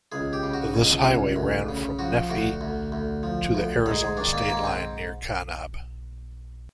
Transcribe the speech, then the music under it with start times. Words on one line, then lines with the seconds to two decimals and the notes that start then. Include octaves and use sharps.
This highway ran from Nephi to the Arizona state line near Kanab.
0.12 C#2 G#4
0.33 G4
0.43 C#3
0.53 F#4
0.74 C#2
1.06 C#2
1.36 D2
1.69 C#3
1.99 F3 F#4
2.30 D2 F#4
2.61 D2
2.92 D2
3.23 F3
3.55 D2
3.86 G#2 G#4
4.01 G#4
4.17 D#3 D4
4.33 A#3
4.48 G#2 A#3
4.64 C4